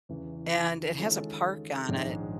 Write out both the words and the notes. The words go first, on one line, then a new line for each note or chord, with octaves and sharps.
and it has a park on it
E2 C#3 E3
D#3 G#3 C#4 F4 A4
A#1 G#2 D#3 G#3 C#4